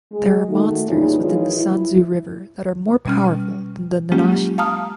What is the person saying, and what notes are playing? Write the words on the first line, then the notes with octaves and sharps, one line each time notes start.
The are monsters within the Sanzu River that are more powerful than the Nanashi.
G#3
D#3 A3 F#4
E2 A#2 C#3 G3 D4 D#4
D#3 E3 F#3 G#3 F4 G#4
E4
B2 G3 C#4 F6
F#3 G#3 A#3 C#4 F4 G4
F5 A5 A#5 D#6 F6